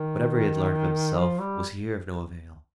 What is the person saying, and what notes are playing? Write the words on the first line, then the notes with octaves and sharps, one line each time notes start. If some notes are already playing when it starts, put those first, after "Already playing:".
Whatever he had learned of himself was here of no avail.
Already playing: D#3
F3
G3